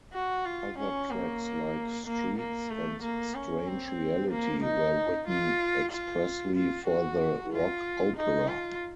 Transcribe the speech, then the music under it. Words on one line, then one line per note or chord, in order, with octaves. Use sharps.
Other tracks like "Streets" and "Strange Reality" were written expressly for the rock opera.
F#4
F4
C#4
A#3
A#3
A#3
A3
A#3
C#4
C4
A#3
D#4
F4
F4
F4
F#4
F4
D#4
F4